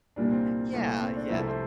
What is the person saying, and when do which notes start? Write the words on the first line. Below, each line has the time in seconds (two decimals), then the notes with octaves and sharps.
Yeah, yeah.
0.16 C2 A#2 G3 A#3 D4
0.31 C4
0.73 C2 A#2 A3
1.01 C4
1.16 D4
1.29 C2 C3 F3 A3 E4
1.39 A4
1.48 C5